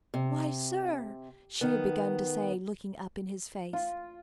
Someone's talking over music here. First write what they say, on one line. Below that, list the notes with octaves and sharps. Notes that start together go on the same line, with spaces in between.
"Why, sir," she had begun to say, looking up in his face.
C3
D#3 B3
F4